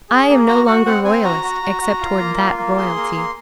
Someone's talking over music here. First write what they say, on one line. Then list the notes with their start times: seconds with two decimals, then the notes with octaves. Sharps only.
I am no longer Royalist except towards that royalty.
0.09 G#4
0.29 A#3
0.47 F#4 A#5
0.66 F#4 F#5
0.85 C4 F#5
1.04 C4 G#5
1.24 F#4 A#5
1.43 F#4
1.62 F#4
1.81 F#4
2.01 F4
2.20 A#3
2.38 F4
2.58 A#3
2.77 G#4 C6
2.96 A#3
3.15 A#3